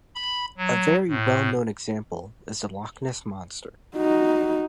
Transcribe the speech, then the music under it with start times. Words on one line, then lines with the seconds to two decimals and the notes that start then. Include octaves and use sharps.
A very well-known example is the Loch Ness Monster.
0.15 B5
0.58 F#3
1.08 A2
3.97 D#4 F#4